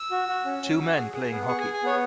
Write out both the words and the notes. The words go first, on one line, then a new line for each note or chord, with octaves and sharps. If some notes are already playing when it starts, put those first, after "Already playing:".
Two men playing hockey.
Already playing: E6
F#4
F#4
C#4
C#4
F#4
G#4
G#4
B3
G#4 C#6
G#5
G#4
G#5
B3 C#5